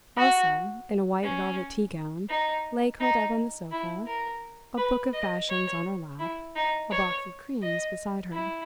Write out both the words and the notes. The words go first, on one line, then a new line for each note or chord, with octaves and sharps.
Elsa, in a white velvet tea-gown, lay curled up on the sofa--a book of fashions on her lap, a box of creams beside her.
F#4
C#4
D#4
D#4
E4
A#4
B4
D#5
C#5
E4
D#4
C#5
D#5
E4